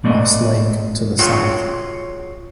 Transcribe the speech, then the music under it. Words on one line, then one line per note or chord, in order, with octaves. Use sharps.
Moss Lake to the south.
G#2 A3 D5 D#5
F4 F#4 G#4 C#5 G5